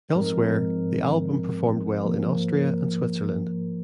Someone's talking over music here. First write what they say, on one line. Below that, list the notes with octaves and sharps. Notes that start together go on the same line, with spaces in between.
Elsewhere, the album performed well in Austria and Switzerland.
G#2 F3 G#3 C4 A#4
G#2 F3 A#3 A#4
A#4